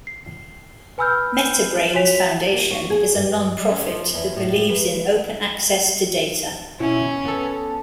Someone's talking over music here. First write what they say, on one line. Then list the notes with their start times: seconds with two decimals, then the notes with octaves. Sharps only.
MetaBrainz Foundation is a non-profit that believes in open access to data.
0.07 C7
0.98 B4 G#5 B5 E6 F6 G6
1.94 F#4 C#5 G#5 B6 F7
2.53 A#3
2.70 F#4
2.90 G#4
3.14 G2
3.58 G3
3.71 C#4
3.87 F3
4.14 E2
4.36 A2
4.70 B4
6.80 B2 C#4 E4
7.25 B3 A4